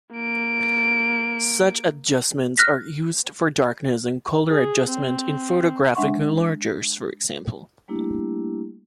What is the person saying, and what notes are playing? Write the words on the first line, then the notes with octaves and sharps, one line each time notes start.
Such adjustments are used for darkness and color adjustment in photographic enlargers, for example.
A#3 D7
F6 F#6 A#6 B6
G#4
C4
G#3 D4 E5 F#5 C6 C#6
G3 A3 A#3 D4 E4 G4